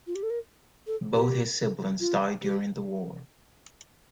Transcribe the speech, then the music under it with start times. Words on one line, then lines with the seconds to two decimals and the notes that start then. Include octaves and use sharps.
Both his siblings died during the war.
0.07 F4
0.15 G4
0.23 A4
0.30 A#4
0.87 A4
1.15 G4
2.00 F4
2.43 G4